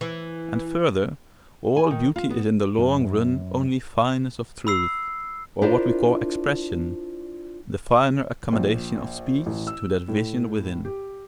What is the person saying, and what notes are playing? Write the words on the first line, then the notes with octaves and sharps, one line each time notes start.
And further, all beauty is in the long run only fineness of truth, or what we call expression, the finer accommodation of speech to that vision within.
E3
G#5
D#3
F4
B3
F#2
B5 E6 C7
D4 E4 F4 A#4 C5 D5
A#1
A1
E6
A2
G4